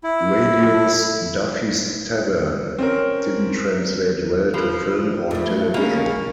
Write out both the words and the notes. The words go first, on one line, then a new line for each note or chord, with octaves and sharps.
Radio's "Duffy's Tavern" didn't translate well to film or television.
E4
C4 C#4 A#4
F3
G2 A3
G#3 A#3 C#4